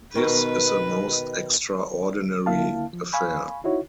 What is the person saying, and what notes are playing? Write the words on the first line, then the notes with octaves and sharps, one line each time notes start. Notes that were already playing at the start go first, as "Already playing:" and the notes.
This is a most extraordinary affair.
B2 D#3 B4
C#2 D3 A#3 E4 F5 A5
F3
F5 G#5 B5 C#6
D#4 E4 F#4 C#5